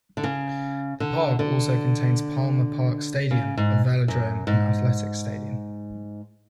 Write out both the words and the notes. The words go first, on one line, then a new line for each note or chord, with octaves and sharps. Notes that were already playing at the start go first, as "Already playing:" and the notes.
The park also contains Palmer Park Stadium, a velodrome and athletics stadium.
D3
C#3
D3
D3
C#3
G#2
F#2
G#2